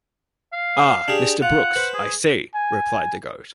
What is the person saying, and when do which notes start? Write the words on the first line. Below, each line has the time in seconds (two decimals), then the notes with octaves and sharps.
'Ah, Mr. Brooks, I see,' replied the goat.
0.53 F5
1.08 D4 G4 G#4
1.42 F4 F#5
1.76 B4 C5
1.94 G#4
2.55 G#5